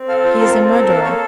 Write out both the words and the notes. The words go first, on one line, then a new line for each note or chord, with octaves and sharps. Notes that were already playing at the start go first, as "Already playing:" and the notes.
He is a murderer.
Already playing: C4
A4 F5
F4 C5
C4 A#4
C4 A4
A4 A#4
A#3 A#4
A4 C#5